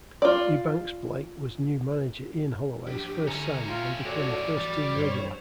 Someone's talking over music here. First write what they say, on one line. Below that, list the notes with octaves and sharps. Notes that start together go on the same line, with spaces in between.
Ebanks-Blake was new manager Ian Holloway's first signing and became a first team regular.
F4 D5
F3 D4 G4
D3 C#4 E4 A#5
C#2 F4 G5
G3 F4 F#4 A4 C#5 D5
E3 G3 F#4 A6
G2 C5 C#5